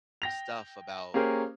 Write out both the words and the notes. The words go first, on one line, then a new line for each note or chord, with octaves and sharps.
stuff about
G5 A#6 F7
A#3 C#4 G4 G#4 A#4 C5